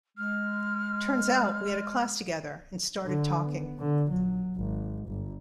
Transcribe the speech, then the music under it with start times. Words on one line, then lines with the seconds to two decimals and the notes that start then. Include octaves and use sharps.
Turns out we had a class together and started talking.
0.17 G#3 F6
3.06 D3
3.43 B3
3.79 D3
4.09 A#1 F#3
4.57 G#1
5.09 G1